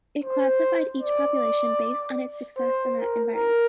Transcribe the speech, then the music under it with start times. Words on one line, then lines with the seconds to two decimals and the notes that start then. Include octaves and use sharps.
It classified each population based on its success in that environment.
0.24 C5
1.01 D5
2.57 C5
2.95 A#4
3.35 A#4